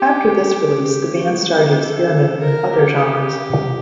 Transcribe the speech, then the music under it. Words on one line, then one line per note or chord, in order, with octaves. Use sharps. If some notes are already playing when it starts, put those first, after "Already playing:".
After this release, the band started experimenting with other genres.
Already playing: G4
F#4
G4
A4
A#4
G4